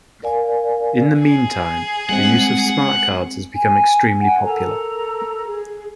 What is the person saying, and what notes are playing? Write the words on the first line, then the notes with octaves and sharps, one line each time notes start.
In the meantime, the use of smartcards has become extremely popular.
A#4 D5 F5 G#5
G#4
G3 G#3 C4 F#5
G#5
F#5 G#5
A4 A#4 A#5
G#4